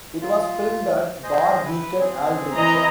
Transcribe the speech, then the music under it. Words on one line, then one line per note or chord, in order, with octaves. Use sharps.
It was filmed at Barr Beacon, Aldridge.
F4
G#4 C5 D#5
E4 B4
C4 G#4
E3 D#5 A#5